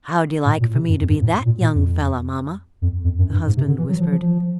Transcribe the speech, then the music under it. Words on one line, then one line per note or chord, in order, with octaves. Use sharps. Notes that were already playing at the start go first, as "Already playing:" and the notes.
"How'd you like for me to be THAT young fella, mamma?" the husband whispered.
A2
A#2
C3
F#2
F2
G2
A2
A#2
A#2
F2
F2
F2
F#2
G2
G#2
C3
D3
E3
F#3
F3
F3
F3